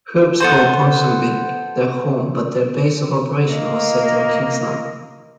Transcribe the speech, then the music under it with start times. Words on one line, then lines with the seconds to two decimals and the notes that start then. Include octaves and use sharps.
Herbs call Ponsonby their home, but their base of operations was set in Kingsland.
0.40 B3 A4 C5
3.50 A#3 D#5